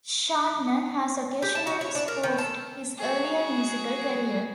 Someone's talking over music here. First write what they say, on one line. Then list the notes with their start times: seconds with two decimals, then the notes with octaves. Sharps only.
Shatner has occasionally spoofed his earlier musical career.
1.42 G4
1.55 A5
1.67 F#4
1.81 C#5
1.95 D4
2.08 A#4
2.23 D#3
2.38 A4
2.98 F#4 G#4